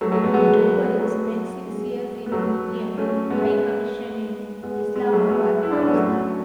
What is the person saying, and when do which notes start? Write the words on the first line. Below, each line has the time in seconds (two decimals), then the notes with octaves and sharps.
Doval spent six years in Indian High Commission in Islamabad, Pakistan.
0.01 F#3 A3
0.12 F#3 A3
0.23 G#3 B3
0.33 G#3 B3
0.99 F#3 A3
1.65 G#3
2.26 B3
2.32 F#3 A3
2.97 A3 C#4
3.30 G#3 B3
4.63 G#3 B3
4.95 G#3
5.12 F#3 A3
5.29 G#3 B3
5.63 E4
5.71 D4
5.79 C#4
5.87 B3
5.94 F#3 A3